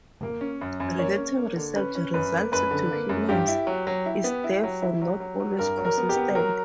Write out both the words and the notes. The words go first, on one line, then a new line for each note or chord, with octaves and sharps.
Relating research results to humans is therefore not always consistent.
A#3
C#4
F#2
F#2
A#3 C#5
C#4
A#3
D3
C#4 B4
C#4
F#2 B4
A#3
F#2 B4
D3
A#3
F#2
G2 G4
E4
F#3
F#3
E4
B3
E4
F#3
E4
F#3
F#3
F#3
G2 A#4
F#3
A#4
B3
G4
B3
F#3 A#4